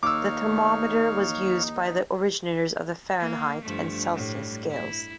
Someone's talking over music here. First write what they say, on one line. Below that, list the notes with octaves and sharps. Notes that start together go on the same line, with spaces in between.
The thermometer was used by the originators of the Fahrenheit and Celsius scales.
D#2 D#4 C#5 F5 D6 E6
A#3
G2 F3 A3
A2 G3
E4